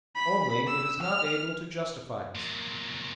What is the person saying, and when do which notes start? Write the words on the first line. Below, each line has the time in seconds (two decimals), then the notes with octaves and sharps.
Only it is not able to justify us.
0.15 B5
0.67 E6
1.01 F6
2.35 A#2 F#3